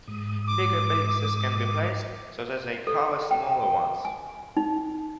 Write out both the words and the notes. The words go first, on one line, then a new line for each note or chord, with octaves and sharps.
Bigger pieces can be placed so that they cover smaller ones.
G#2 D#6
D6
A4
G5
G#5
D#4